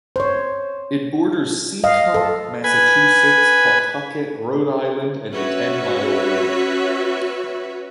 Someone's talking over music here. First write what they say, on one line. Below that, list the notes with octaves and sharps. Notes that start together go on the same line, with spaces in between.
It borders Seekonk, Massachusetts, Pawtucket, Rhode Island and the Ten Mile River.
C5 C#5
D#5 F5
A4
B4 G#5
C#4 F#4 B4 C#5 E5